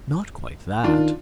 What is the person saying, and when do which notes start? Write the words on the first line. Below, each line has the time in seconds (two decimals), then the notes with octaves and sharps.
"Not quite that!"
0.84 D#3 D4 F4